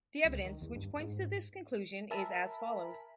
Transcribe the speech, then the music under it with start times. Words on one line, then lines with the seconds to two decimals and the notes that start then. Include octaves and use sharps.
The evidence which points to this conclusion is as follows.
0.25 C#2
0.45 D#3
0.62 E2
0.76 G2
1.00 G#2
2.11 A#4 E5 G#5 A5 B5